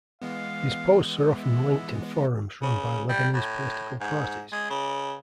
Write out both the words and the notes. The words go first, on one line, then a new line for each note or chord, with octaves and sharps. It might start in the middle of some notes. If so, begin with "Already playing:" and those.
His posts are often linked in forums run by Lebanese political parties.
E3 G#3 B3 F5
E4
C#3
G3
A2
G#2
G#3
C#3